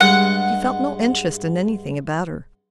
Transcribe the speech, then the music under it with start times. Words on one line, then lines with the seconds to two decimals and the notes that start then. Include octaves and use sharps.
She felt no interest in anything about her.
0.01 G2 G#3 F#5